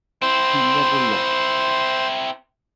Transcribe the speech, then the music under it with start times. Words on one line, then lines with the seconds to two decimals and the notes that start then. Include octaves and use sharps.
He never lost.
0.22 C4 E4 C5 C6